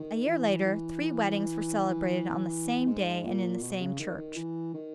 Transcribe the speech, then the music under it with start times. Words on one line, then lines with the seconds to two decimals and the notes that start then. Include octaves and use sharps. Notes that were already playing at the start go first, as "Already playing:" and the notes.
A year later three weddings were celebrated on the same day and in the same church.
Already playing: D#3
0.27 E3
0.65 E3
1.01 E3
2.87 G#2
3.25 A#2
3.62 B2
3.81 C#3
3.99 D#3
4.18 D#3
4.37 E3
4.74 D#3